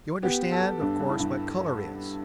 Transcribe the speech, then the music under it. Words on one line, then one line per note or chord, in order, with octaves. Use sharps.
You understand, of course, what color is?
B3 G4
B3
A4
B3
G2 D4
G2
E4
G2